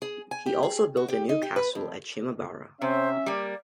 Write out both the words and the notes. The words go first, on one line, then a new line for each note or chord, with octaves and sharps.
He also built a new castle at Shimabara.
G#4
G#5
G4
G#4
F#4
G4
D#4
G4
B4
F2
C3 C#4 C5 E5
G3 A#3 D5